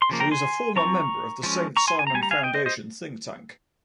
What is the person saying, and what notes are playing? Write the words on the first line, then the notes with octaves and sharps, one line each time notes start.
She is a former member of the Saint-Simon Foundation think-tank.
C6
C#3 F3 A#3
G5 A#5
G#5 C6
F3 C4 A#5 C#6
F3 G#3 C#4
A#5 C#6
G#5 C6
G#5
A#5
C4
G3 G#5
A#5
F5 G#5
D#5 G5
C5 D#5
C5 D#5